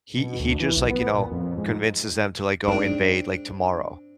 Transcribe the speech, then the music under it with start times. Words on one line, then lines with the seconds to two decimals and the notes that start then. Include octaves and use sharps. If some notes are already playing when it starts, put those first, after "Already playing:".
he he just, like, you know, convinces them to, like, go invade, like, tomorrow,
0.16 B2
0.40 D2
0.60 E3
0.77 B1
0.90 B3
1.13 A#2
1.31 F2
1.58 G#2
2.68 G#2 C4 D4